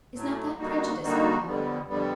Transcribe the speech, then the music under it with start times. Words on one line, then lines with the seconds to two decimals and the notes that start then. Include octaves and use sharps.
"Is not that prejudice, papa?"
0.14 A2 F#3 A3
0.57 D3 G3 A#3 D#4 F#4
1.01 D3 G3 A#3 D#4 F#4
1.44 F2 D3 G3 B3
1.88 F2 D3 G3 B3